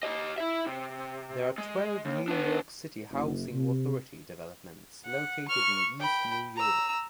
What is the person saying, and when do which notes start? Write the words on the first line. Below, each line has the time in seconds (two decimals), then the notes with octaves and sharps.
There are twelve New York City Housing Authority developments located in East New York.
0.03 G4 D#5
0.38 E4 E5
0.66 C3
1.58 G#3
2.05 D#2
2.28 B3 D4
3.11 F#1
3.52 C3
5.05 F#5
5.48 C#6 F6
6.00 G5 B5
6.56 A#5 E6